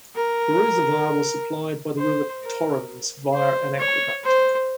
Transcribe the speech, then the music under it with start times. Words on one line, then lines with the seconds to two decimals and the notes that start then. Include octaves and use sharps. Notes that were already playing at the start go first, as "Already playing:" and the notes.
The reservoir was supplied by the River Torrens via an aqueduct.
0.16 A#4
1.98 C5
2.43 A#4
3.33 C5
3.79 C#5
4.24 C5